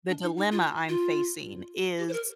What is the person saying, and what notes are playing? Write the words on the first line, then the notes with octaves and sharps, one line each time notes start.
the dilemma I'm facing is
D4
D#4
D#4
F4
F4
G4
C5
A#4